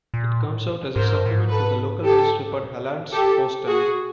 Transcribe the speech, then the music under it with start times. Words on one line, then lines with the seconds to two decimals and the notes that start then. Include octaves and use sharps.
It comes out as a supplement to the local newspaper Hallandsposten.
0.14 A#2
0.41 A2
0.95 G#2 A#4 C5
1.14 G2
1.26 A2
1.32 G#2
1.50 A4 B4
2.04 G4 A4
2.59 A2
3.13 G4 A4
3.67 B2 F#4 G#4
3.86 C3